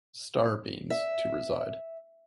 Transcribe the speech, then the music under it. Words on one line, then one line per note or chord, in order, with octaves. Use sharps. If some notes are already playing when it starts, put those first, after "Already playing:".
"Star" means, "to reside".
E5